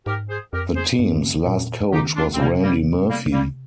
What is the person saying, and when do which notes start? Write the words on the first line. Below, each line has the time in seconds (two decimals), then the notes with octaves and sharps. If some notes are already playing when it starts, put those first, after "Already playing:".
The team's last coach was Randy Murphy.
0.06 G#2 G4 A#4
0.29 G#4 C5
0.53 F2 G4 A#4
0.76 G#4 C5
0.99 G2
1.46 A#2
1.92 D#3 D#4 G4
2.16 D4 F4
2.34 C4
2.39 C3 G3 A#3
2.62 G3 A#3
3.09 G3 A#3
3.32 G3 A#3